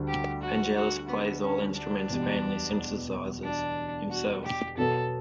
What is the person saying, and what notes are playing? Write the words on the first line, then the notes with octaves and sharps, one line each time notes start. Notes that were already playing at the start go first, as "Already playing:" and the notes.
Vangelis plays all instruments, mainly synthesizers, himself.
Already playing: D2 D3 G3
G4
F#4
F#4
B3
C#4
D4
E1 E2 B2 G3
D4
F#4
G4
B2 F#3 B3 A4